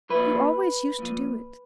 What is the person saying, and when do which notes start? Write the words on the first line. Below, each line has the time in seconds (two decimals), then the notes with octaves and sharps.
"You always used to do it."
0.10 A#2 F3 B4
0.99 A#2 F3